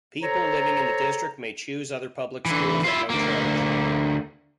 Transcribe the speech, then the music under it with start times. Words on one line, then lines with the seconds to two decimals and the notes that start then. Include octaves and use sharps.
People living in the district may choose other public schools at no charge.
0.22 A4 C5 C#5 A#5
2.46 D3 E3
2.84 E4 F4
3.10 D2 A#3